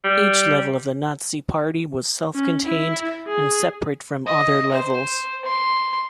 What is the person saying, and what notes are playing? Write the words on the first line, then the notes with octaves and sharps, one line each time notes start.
Each level of the Nazi Party was self-contained and separate from other levels.
G3
C#4
E4
G#4
D#5
C5
C6